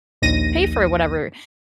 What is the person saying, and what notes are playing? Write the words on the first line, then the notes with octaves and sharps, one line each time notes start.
pay for whatever
A#1 D#2 A#6 D#7